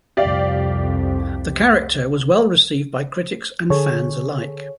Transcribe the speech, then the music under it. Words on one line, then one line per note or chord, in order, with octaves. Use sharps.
The character was well received by critics and fans alike.
C2 F2 G4 D5 F5
D3 G#4 A4 C#5